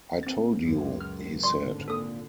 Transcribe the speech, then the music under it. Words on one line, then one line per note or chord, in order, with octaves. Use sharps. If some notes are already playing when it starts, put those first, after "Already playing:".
"I told you," he said.
C4 A6
C#2 F#2
F6
G#1 D3 D5 C6
A#2 A4 D#6